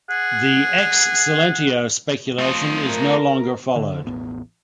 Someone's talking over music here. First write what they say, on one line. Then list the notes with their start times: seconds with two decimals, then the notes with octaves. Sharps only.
This "ex silentio" speculation is no longer followed.
0.10 G#4 F#5
2.38 A3 C4 F4 D#5
2.87 A#4
3.76 D3
4.04 E1 A1 B3